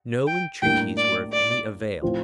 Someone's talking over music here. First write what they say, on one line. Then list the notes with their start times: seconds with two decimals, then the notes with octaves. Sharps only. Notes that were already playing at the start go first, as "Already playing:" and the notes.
No entreaties were of any avail.
0.27 G5
0.62 A2 G3 A#3 D4 G5
0.97 D5
1.32 D5
2.02 A2 F3 C4 F4